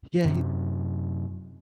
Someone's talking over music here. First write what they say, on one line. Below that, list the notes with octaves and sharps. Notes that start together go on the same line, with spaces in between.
Yeah, he
F#2 C3